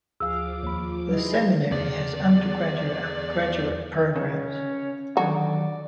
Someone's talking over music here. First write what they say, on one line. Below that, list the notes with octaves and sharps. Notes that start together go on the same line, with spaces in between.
The seminary has undergraduate and graduate programs.
D2 F3 G#4 F5 D6 E6
D#2 A#3 C#5 B5
F#3 D#4 E4 G#4 B4 D#5 C6
E2 D5
C#3 C#4
D3 D#3 F#3 F#4 D5 A#5